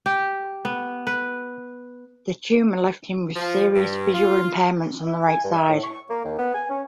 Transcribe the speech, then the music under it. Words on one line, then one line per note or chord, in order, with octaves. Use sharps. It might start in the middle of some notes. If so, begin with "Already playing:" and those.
The tumor left him with serious visual impairments on the right side.
G4
B3
B4
F3
G2
F4
E4
G#5
G2
E5
A2
C#6
A#3
D#2
B3
G#5
C#4